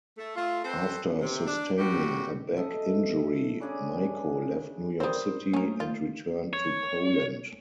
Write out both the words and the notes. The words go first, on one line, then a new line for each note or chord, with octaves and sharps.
After sustaining a back injury, Miko left New York City and returned to Poland.
A3
A3 F4
C4 A4 B4 C5
C3
D4
A2 G3 C#4 F#4 G4
A4 D#5 E5
C#3 D4 G#4 D6
G3 C4 A#4 C5 D#6
A3 A#3 C#4 A#4
F4
C#5